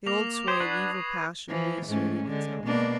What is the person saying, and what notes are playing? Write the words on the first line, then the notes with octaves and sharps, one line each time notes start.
The old sway of evil passion reasserted itself.
A#3 D6 A#6 F7
G4 C5 D#6 G#6 F7
D4 B4 F#5 C#6 C7
B4
E3 F3
G#2 A3 C#4
D3 G#3
B2 A#3 D4